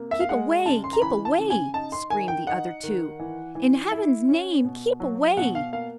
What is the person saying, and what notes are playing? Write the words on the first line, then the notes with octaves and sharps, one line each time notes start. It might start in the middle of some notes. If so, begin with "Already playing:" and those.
"Keep away, keep away!" screamed the other two; "in heaven's name keep away!"
Already playing: C3 A#3
E5
F5
G#3 F#5
C#3 A5
C6
A#5
E3 B5
A5
C#3
G#5
D#4 A5
C6
D#3 G#5
G5
D#4 F#5
D#3
E3
E3
E4
C#4
B2
F#3
B2 F#5
F5
A#3 F5